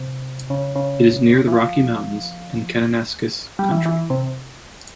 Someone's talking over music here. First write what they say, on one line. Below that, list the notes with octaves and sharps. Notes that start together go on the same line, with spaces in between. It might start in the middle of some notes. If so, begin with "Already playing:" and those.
It is near the Rocky Mountains and Kananaskis Country.
Already playing: C3
C#3
C#3
E3
F3
G3
E3
E3
C3